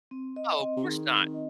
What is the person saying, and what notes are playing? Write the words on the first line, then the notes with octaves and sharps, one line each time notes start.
Oh, course not.
C4
D#5
C4
C3
D#3 G#4
C4
D#5